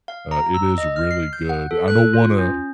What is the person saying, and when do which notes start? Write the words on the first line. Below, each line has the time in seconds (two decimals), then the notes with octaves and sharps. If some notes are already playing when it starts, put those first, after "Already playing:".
uh, it is really good. I don't wanna
0.08 F5
0.31 A#5
0.54 E6
0.78 D#5
0.96 F6
1.11 C7
1.33 G6
1.49 F#5
1.71 A4
1.88 F#6
2.13 F4
2.39 C#4